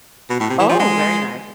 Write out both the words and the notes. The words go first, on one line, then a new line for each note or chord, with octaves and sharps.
Oh, very nice.
B2
A2
C3
E3
F3
G#3